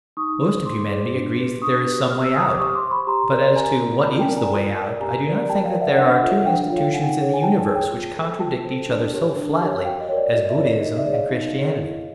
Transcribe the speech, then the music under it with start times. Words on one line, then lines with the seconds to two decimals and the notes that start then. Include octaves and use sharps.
Most of humanity agrees that there is some way out. But as to what is the way out, I do not think that there are two institutions in the universe which contradict each other so flatly as Buddhism and Christianity.
0.17 D#4 C#6 D#6
0.41 G#4 C5
0.65 D#4 C6 D6
0.90 G#4 C5
1.14 D4
1.38 G4 B4
1.62 D4 C#6 D#6
1.86 G4 B4
2.10 G4 F6
2.23 E6
2.34 C5 D#6 F6
2.53 D6
2.59 G4 C#6 D#6
2.75 C6 D6
2.83 C5
2.91 B5 C#6
3.07 G4 A#5 C6
3.31 A#4 D5
3.55 G4 G#5 A#5
3.80 A#4 D5
4.03 F4 A5 B5
4.20 G5 A5
4.28 A#4 D5
4.36 G#5 A#5
4.53 F4
4.76 A#4 D5
5.01 G4 G#5 A#5
5.25 A#4 D5
5.49 G4 G5 A5
5.65 F5 G5
5.73 A#4 D5
5.81 E5 F#5
5.97 D4 E5 F#5
6.22 F4 A4 C#5
6.46 D4 F5 G5
6.62 F5 G5
6.70 F4 A4 C#5
6.78 F5 G5
6.94 D#4 F#5 G#5
7.19 G#4 C#5
7.34 G#5
7.42 D#4 G5 A5
7.58 G5 A5
7.67 G#4 C#5
7.75 G5 A5
7.90 F4
8.15 A4 C5
8.39 F4 G5 A5
8.63 A4 C5
8.88 D4
9.12 G4 A#4 C#5
9.36 D4
9.60 G4 A#4 C#5
9.84 F#4 F5 G5
10.00 D#5
10.08 A#4 C#5
10.17 D5
10.32 F#4 D#5
10.49 D5 E5
10.57 A#4 C#5
10.65 D#5
10.81 D#4 D#5
10.97 D5 E5
11.05 G#4 C#5
11.13 D#5 F5
11.29 D#4
11.54 G#4 C#5
11.77 E4